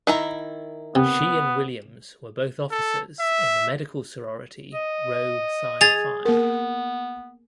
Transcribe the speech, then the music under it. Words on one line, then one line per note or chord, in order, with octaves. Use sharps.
She and Williams were both officers in the medical sorority Rho Psi Phi.
D#3 E4 A#5
C3 B3
A4
E5
D#5
G#4 G#6 A6 F7
A#3 B3 A#4